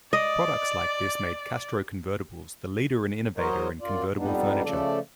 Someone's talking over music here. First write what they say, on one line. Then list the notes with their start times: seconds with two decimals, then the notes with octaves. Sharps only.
Products like this made Castro Convertibles the leader and innovator in convertible furniture.
0.13 D5 D#5
3.38 F#3 A#4 C5 C#5 D#5
3.81 F#2 F4 D5
4.17 F2 G3 B3 D4 D#4
4.63 C#3 F3 A3 A4 D5